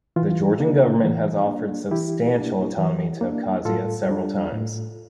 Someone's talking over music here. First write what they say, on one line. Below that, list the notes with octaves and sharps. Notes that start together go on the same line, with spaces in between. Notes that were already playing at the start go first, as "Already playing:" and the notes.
The Georgian government has offered substantial autonomy to Abkhazia several times.
E3 F4
A#3 D4
E3
A#3 D4
E3 E4 G4
A#3 D4
E3
A#3 D4
A2 F4 A4
G3 D4
A2